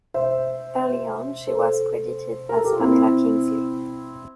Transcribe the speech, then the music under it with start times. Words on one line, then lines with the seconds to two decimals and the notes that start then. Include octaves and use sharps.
Early on she was credited as Pamela Kingsley.
0.14 C5 E5
1.47 A4 C5
2.49 A#4
2.57 A4
2.65 G4
2.72 F4
2.79 C4 E4